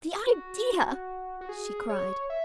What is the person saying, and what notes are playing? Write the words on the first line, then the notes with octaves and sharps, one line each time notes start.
"The idea!" she cried.
F#4
F#4
G#4
C#5
E5